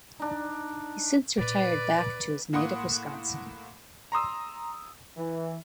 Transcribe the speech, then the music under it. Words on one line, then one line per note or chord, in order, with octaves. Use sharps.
He since retired back to his native Wisconsin.
D4 D#4
A#2 C#4 B4 D5
A2 A#3 F#5 C6 D#6
A#5 C6 D#6 E6
E3